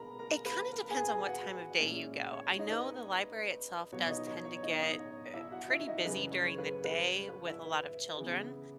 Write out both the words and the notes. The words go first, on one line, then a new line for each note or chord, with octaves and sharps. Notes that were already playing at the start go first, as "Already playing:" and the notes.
It kinda depends on what time of day you go. I know the library itself does tend to get, uh, pretty busy during the day with a lot of children
Already playing: B2 G#3 B3 A#4 A#5 B5
A#4 A#5
B4 B5
A#4 A#5
G#4 G#5
G#4 G#5
F#4 F#5
A#2 G#3 C#4 E4
C#5
C#5
D#4 D#5
B4
B2 F#3 B3 C#5
D#4 D#5
C#5
C#5
D#4 D#5
D#4 D#5
C#5
E4 E5
F#4 F#5
E4 E5
D#4 D#5
F#2 C#3 E3 G#3 B4
C#5
B4
B4
B4
E4 E5
C#3 E3 B3